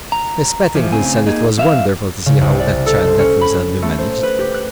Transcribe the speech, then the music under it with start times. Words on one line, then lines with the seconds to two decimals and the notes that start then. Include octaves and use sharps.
Miss Petingill said it was wonderful to see how that child let himself be managed.
0.12 A#5
0.75 E3 F3
0.93 A2 C#3 C4 G#5
1.27 A#3 D#4 G#4
1.58 F2 E5 F5
2.26 C#3
2.41 C2
2.59 D5
2.86 A4
3.07 C5
3.19 C#4
3.41 B5
3.82 A3
3.98 C5
4.23 B4
4.39 G4
4.54 F#6